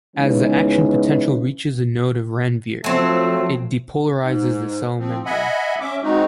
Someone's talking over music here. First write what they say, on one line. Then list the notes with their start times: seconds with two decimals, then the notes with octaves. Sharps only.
As the action potential reaches a node of Ranvier, it depolarises the cell membrane.
0.17 C#3 E3 G#3 B3 C#4 D#4
2.84 F3 F#3 A3 C4
4.21 G#2
4.99 F3 C4
5.25 D#5 E5 F#5 G#5 B5
5.80 C#4 E5 D6
6.03 G#3 C4 D#4 F#4